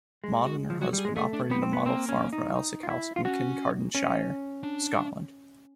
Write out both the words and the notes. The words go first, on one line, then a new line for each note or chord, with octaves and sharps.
Maud and her husband operated a model farm from Elsick House, in Kincardineshire, Scotland.
G#3
F#4
F3
F#3 F#4
G3
G#4
G#3
A3 G#4
D4
B3 C4
C4
B3
A#3 C4
C#4
D#4
D#4
F4
E4
F4
C#4 F#4
C#4
D4